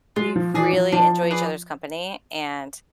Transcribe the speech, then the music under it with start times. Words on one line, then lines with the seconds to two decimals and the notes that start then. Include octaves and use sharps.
we really enjoy each other's company, and,
0.16 G#3 F4
0.36 F3
0.54 E3 G#4 D5
0.73 F3
0.92 F3 D4
1.31 G#4 B4 D5